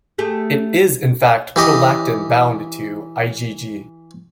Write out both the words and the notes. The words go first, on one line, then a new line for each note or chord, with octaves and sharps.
It is in fact prolactin bound to IgG.
A3 G4 G#4
E3 G4 D#5